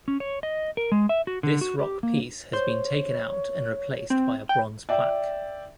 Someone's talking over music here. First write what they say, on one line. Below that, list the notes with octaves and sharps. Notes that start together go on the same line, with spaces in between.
This rock piece has been taken out and replaced by a bronze plaque.
C#4
C#5
D#5
A#4
G#3
E5
F#4
D3
F#4
G4
A#3
C5 C#5
C4
G5
D5 E5 G5